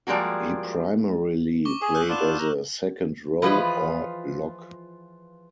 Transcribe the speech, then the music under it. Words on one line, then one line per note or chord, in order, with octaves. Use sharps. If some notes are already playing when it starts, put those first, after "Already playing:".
He primarily played as a second row or lock.
F3 G3 G#3 A#3 F#4
C#6 D6 G7
G#4
E6 F#6 G6
B3 D4 F4 F6 E7
A#5
E3 F3 F4 G#4 B4 D#5